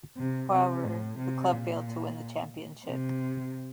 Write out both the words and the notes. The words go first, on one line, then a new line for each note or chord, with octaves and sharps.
However, the club failed to win the championship.
C3
C3
A2
C3
A#2
C3